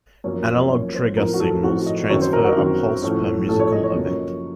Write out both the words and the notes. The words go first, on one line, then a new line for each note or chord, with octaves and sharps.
"Analog trigger" signals transfer a pulse per musical event.
F#2 F3 A#3 C#4 C#5
F#2 F3 A#3 C#4 C#5
C5
A2 F3 C4 D#4 A#4
F#4
A4
A2 F3 C4 D#4 F#4
D#5
F#2 D#3 F#3 C4 D#4 C#5
C5
A#4
F#4
F#2 D#3 F#3 C4 D#4
A2 F3 A3 C#4
A2 F3 A3 C#4 A4
C#5
D#5
C#5
F#2 C#3 F3 A#3 C#4